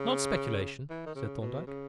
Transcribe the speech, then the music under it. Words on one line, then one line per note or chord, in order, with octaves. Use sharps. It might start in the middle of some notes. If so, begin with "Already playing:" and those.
"Not speculation," said Thorndyke.
Already playing: C#3
E3
D#3
C#3
B2
C#3